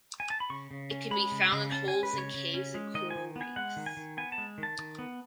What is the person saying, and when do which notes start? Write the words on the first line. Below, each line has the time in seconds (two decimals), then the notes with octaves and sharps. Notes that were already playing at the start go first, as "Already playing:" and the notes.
It can be found in holes and caves in coral reefs.
0.20 G#5
0.30 A5
0.40 B5
0.50 C#3 C#6
0.71 C#3
0.91 C#4
1.11 G#3 B5
1.31 C#3
1.52 C#3
1.72 C#4 A5
1.88 G#5
1.93 G#3
2.03 B4
2.13 C#3 C#5
2.34 C#3
2.54 C#4
2.74 G#3
2.94 D#3 D#5
3.10 D#3 G#5
3.36 B3
3.41 G#5
3.56 G#3 F#5
3.76 D#3
3.86 G#5
3.97 D#3
4.17 B3 G#5
4.32 A5
4.38 G#3
4.58 D#3
4.63 A5
4.78 D#3
4.99 B3